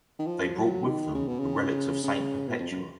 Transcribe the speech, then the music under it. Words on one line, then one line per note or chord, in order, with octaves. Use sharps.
They brought with them the relics of Saint Perpetua.
D#3
F3
F#3
D#3
C#3
B2
C#3
C#3
B2
F2
F#2